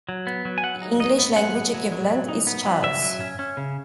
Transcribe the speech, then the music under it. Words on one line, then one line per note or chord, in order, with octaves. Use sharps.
The English language equivalent is Charles.
F#3
B3
F#3
G#5
F#3 F#5
D#4
D#4 D#5
B3
F#3 F#5
B3
F#3
F#3
F#3
D#4
B3
F#3
C#3 E5
F#3
C#4
C#4
C#3